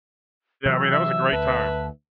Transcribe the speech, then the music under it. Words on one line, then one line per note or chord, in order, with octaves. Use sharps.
Yeah, I mean, that was a great time.
C3 E3 F#3 E6
E5
D2 B4 A5